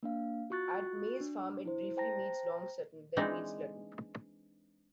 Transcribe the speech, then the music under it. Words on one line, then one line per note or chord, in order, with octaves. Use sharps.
At Maze Farm it briefly meets Long Sutton then meets Lutton.
A#3 D4 F5
F4 F#4 C#6 F#6 A6
D4
E4 C5
C5 G5 A5 A#5 A#6
E3 G#3 C4 D4 D#4